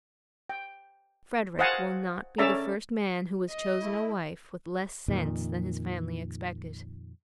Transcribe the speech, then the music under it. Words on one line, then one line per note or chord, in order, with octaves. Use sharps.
Frederick will not be the first man who has chosen a wife with less sense than his family expected.
G5
C5 D#5 F5 F#5 G#5 A5
C#4 A4 D5 E5 A5 A#5
D#5
A3 E4
F2 A#2 D#3